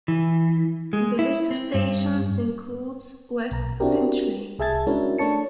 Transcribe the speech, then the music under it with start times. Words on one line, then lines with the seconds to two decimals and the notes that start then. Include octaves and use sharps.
The list of stations includes West Finchley.
0.08 E3
0.93 G#3
1.19 E4
1.51 C4
1.74 G2
3.51 B1 A#5
3.80 C4 D4 E4 F#4 G4 A#4
4.59 C2 G#4 E5 A5 G#6 A6
4.87 G#3 C#4 D4 E4 F#4 A#4
5.18 A3 D4 C#5 A5 C#7